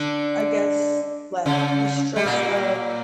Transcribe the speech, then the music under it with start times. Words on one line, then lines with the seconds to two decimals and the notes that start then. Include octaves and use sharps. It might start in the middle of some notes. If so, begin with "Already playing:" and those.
I guess, like the stress of
Already playing: D3 D4
1.46 C#3 C#4
2.16 G3
2.26 A#2 A#3